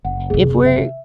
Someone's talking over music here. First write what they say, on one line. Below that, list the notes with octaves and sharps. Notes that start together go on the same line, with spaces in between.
if we're
F#1 F#5
D#2 C3 G#4
E5